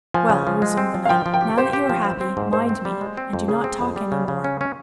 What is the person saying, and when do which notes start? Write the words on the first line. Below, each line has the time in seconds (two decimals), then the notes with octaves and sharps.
"Well," resumed the nun, "now that you are happy, mind me, and do not talk any more."
0.14 F3 G#5
0.30 C#3
0.47 F3
0.62 G#3
0.77 C4
0.94 F3
1.05 F5
1.09 F3 G5
1.26 F3
1.33 G5
1.41 G4
1.57 G4 C5
1.73 G4
1.89 F3
2.05 C4
2.21 C4
2.37 G#2
2.53 G#2 C5
2.69 C4
2.85 G3
3.01 G#3
3.17 C4
3.33 F2
3.48 C#3 G#4
3.64 C4
3.81 F2
3.96 G3
4.12 C#3
4.28 C#3
4.44 C#4
4.61 C#4